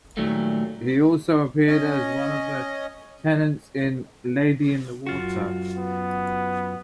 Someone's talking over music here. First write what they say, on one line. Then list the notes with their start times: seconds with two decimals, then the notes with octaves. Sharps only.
He also appeared as one of the tenants in "Lady in the Water".
0.17 A#2 D#3 F#3 G3 A3 A#3
1.67 C#4 D#5
5.07 F#2 F4 F#4
5.78 B3